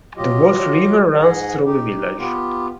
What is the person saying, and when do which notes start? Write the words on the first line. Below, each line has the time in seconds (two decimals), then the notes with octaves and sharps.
The Wolf River runs through the village.
0.17 F#3 F4 G4 D#5
1.19 G#2 G#4 D#5 F#5
1.65 D#4 G4
2.18 B3 F4 G4